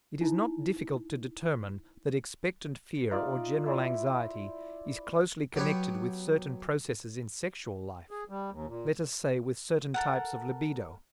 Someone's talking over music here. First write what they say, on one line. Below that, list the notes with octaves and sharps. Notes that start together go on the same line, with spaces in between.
It is not difficult to determine that expectant fear or general anxiety is closely connected with certain processes in sexual life, let us say with certain types of libido.
D#4 E4
D#4 F4 D5 F5
E4 C5 D5
F#3 B3 G4 B4 C#5
G#4
G3
D#2
A#2
A4 A#4 F#5